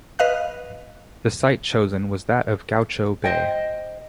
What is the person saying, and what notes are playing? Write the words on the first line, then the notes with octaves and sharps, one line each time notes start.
The site chosen was that of Gaucho Bay.
B4 D#5 F5 F#6
C5 D#5 G5